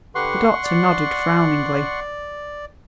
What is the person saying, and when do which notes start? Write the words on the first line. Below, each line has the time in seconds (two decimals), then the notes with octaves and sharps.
The doctor nodded frowningly.
0.15 D3 G4 B4 F#5 C6 C#6
0.64 D5